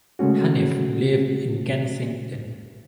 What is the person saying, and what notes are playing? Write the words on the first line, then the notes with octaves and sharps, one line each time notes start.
Hanif lives in Kensington.
C#3 G#3 A3 C#4 F#4